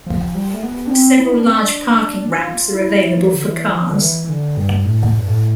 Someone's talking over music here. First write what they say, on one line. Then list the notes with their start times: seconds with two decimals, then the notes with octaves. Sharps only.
Several large parking ramps are available for cars.
0.06 F3
0.35 G3
0.54 A3
0.63 B3
0.87 D4
0.91 C4
1.20 E4
1.32 D4
1.45 C4
1.57 D4
2.32 F4
2.74 E4
3.17 F3
3.34 D3
3.44 E3
3.73 F3
3.89 D3
4.01 E3
4.25 E3
4.29 D3
4.57 G2
4.85 A2
5.19 G2
5.27 A2